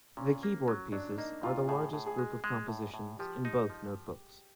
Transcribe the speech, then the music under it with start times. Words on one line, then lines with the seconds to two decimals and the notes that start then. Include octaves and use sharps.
The keyboard pieces are the largest group of compositions in both Notebooks.
0.17 A#2 C#4
0.43 A#3
0.68 F#3
0.92 F#3 D4
1.18 A#3 D#4
1.43 A#2 F4
1.68 A2 G#4
1.93 A2
2.06 G#4
2.19 G#3
2.44 G#3
2.68 A2
2.94 A2
3.19 F3 G4
3.45 D#4
3.70 F3